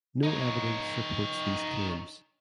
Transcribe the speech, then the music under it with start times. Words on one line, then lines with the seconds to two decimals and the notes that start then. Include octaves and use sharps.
No evidence supports these claims.
0.23 D#4 C#5